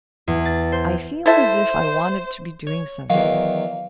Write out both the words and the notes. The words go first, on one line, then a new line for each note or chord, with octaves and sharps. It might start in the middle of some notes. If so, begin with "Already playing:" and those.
I feel as if I wanted to be doing something.
E2
A6
C5
E4 A4 C5 E5
C#5
E2 D#3 F#3 F5